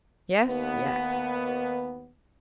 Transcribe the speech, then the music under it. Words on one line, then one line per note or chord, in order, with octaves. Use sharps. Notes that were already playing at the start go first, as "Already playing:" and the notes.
"Yes, yes."
D#2 B3